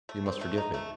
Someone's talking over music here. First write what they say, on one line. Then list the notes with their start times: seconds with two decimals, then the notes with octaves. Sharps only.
You must forgive me.
0.09 A3
0.26 C4
0.41 A3
0.58 D#4
0.74 A3